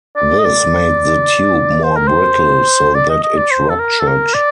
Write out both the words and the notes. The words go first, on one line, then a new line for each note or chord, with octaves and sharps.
This made the tube more brittle so that it ruptured.
D5
D#5
D5
C5
A#4
C5
D5
D#5
D#5
D5
C5
A4
A#4
A4
A#4
D5